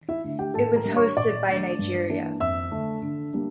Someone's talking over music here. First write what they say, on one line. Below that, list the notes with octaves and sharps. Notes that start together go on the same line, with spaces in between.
It was hosted by Nigeria.
E4 E5
D3 A3
G4 G5
A2 A4 A5
A#4 A#5
G3 D4
C#5 C#6
A#2 D5 D6
A3 D4
G2
E3 A#3 D4
F2 E5 E6
D3 A3 D4
D3
G3 A#3 D4